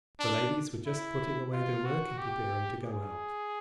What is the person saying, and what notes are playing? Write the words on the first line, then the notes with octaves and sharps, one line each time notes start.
The ladies were just putting away their work and preparing to go out.
D4
E4
F4
F#4
G4
G#4